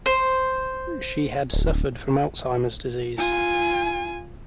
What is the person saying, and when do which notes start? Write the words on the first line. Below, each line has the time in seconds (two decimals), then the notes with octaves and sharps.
She had suffered from Alzheimer's disease.
0.06 C5
1.53 D1
3.18 F4 G#5